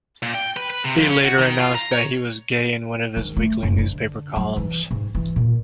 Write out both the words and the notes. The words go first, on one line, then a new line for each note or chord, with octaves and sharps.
He later announced that he was gay in one of his weekly newspaper columns.
A#2
G5
B4
B4
C3
F2
C#4
F#4
D#3
F4
A#5
C#5
D#3
A3
F#1
D3
F#3
E3
G#2
E3
A#2